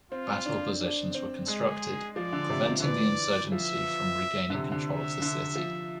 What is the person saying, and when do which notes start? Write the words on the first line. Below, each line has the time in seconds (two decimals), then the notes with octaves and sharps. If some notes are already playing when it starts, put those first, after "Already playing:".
Battle positions were constructed, preventing the insurgency from regaining control of the city.
0.12 C4 F4
0.46 D4
0.81 D4
1.14 C4
1.48 G#3 G#4
2.16 F3 D5
2.33 D3
2.50 C3
2.67 C3
2.80 D3
2.84 E3 D5
3.52 F3 E5
4.50 D3
4.55 C3
4.72 D3
4.88 E5
5.22 D3
5.56 F3